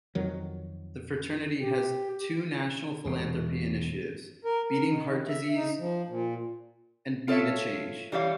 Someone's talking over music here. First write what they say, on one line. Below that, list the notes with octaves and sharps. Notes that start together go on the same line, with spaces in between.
The fraternity has two national philanthropy initiatives: Beating Heart Disease and Be the Change.
F2 D#3 F#3
G4
E1 B2
A#4
A#4
D#3
E5
D#4
F3
A#2
F4 A4 C#5 E5
E3 G3 C#5 F5